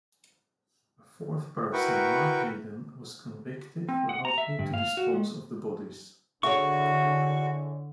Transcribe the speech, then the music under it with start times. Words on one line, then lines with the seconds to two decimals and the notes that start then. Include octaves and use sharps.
A fourth person, Mark Haydon, was convicted for helping to dispose of the bodies.
1.73 E4 F#4 A#4 B4 G5 C#6
3.89 C4
4.09 F#5
4.25 A#5
4.38 E5
4.59 G2
4.74 F5
4.97 F#4
5.14 G#3
6.43 D3 E4 F#4 G#4 C#5 C#6